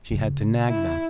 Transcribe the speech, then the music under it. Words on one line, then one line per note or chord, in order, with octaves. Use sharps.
She had to nag them.
C#3
E4